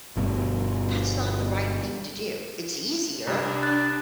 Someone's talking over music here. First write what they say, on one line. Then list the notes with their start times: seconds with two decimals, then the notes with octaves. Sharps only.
That's not the right thing to do. It's easier.
0.16 G1 G2 B2
3.27 C2 G3 D4
3.63 F#6 A6